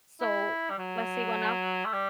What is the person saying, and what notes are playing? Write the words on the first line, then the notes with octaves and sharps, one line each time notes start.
So, La Siguanab
E4
G3
F#3
A3
G3